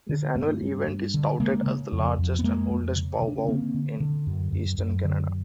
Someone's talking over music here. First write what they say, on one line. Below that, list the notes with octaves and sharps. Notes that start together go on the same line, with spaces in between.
This annual event is touted as the largest and oldest pow-wow in Eastern Canada.
D3
G2 A3 B3
G2
G2
D3
C#3 G#3 A#3
C#3
F2
F2
B3
F2 G#3 A#3
F2
C#3
C#3
D4
C#4
D3 A#3 C4
D3
D3
F#2
F#2
F#2
D3